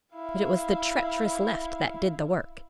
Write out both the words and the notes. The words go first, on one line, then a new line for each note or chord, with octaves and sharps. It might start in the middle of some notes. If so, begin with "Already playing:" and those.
But it was the treacherous left that did the work.
E4 F5